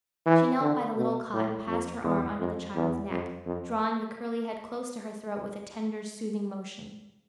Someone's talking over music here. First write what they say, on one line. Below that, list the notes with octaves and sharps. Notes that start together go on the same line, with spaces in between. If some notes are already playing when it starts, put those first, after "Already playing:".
She knelt by the little cot and passed her arm under the child's neck, drawing the curly head close to her throat with a tender, soothing motion.
E3
D3
B2
A2
F2
E2
F2
E2
F2
F2